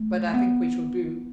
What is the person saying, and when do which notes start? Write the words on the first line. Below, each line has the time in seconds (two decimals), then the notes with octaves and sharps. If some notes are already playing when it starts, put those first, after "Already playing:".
But I think we shall do.
Already playing: A3
0.34 B3